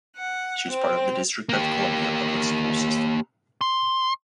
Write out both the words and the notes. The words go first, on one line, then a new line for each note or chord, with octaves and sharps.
She was part of the District of Columbia Public Schools system.
F#5
C4
A#3 G4
C6